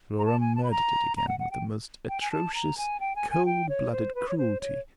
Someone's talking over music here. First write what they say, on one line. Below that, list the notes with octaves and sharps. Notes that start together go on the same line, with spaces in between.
Flora murdered it again, with the most atrocious, cold-blooded cruelty.
A#5
A5
G#5
A5
B5
A#5
A#5
F#5
F#5
G5
G5
G#5
A5
A#5
G#5
G5
G#5
G#5
G5
C#5
C5
B4
C#5
C5
C#5